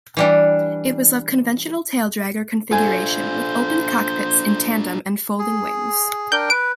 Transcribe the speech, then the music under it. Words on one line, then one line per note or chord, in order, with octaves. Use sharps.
It was of conventional taildragger configuration with open cockpits in tandem and folding wings.
E3 G3 D4
D4 F4 A4 C5 G#5
G#4
D4 A#4 G5 G6
B4 D7